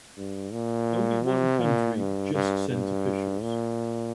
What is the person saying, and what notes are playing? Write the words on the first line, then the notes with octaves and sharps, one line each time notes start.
Only one country just sent officials.
G2
A#2
C3
A#2
G2
G2
G2
A#2